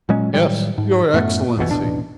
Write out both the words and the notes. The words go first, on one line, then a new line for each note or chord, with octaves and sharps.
"Yes, your Excellency."
A#2 F#3 G#3 C#4
A2 D#3 F#3 G3
G#2
F#2 A2 A3 B3
G1 F2 B2 E3
D#1 A1 B2 D4